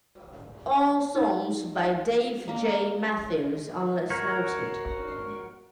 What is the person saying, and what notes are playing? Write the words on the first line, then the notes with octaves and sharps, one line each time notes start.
All songs by Dave J. Matthews unless noted.
D#4
A#3 A#4
F#4 A#4 C#5